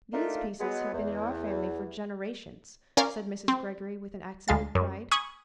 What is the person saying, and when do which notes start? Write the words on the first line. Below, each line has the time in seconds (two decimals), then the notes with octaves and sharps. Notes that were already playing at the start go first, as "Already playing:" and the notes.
"These pieces have been in our family for generations," said Mrs. Greggory with an accent of pride.
0.14 A3 A#3 D4 D#4 F4 A#4
0.60 F#3 G#3 B3
0.92 E2
2.97 C#4 A#4 D5 F5
3.48 C4
4.48 D2 G#3 F5 A6
4.75 F#2
5.11 G#5 B5 C#6 D#6 G#6